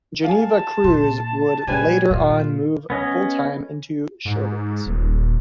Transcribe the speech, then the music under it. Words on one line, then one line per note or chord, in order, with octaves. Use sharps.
Geneva Cruz would later on move full-time into showbiz.
F5 G#5 A5
A#2 C6
A#2 G3 B4 G#5
A#2 F4
B3 C#4 D#5
G#2
D#1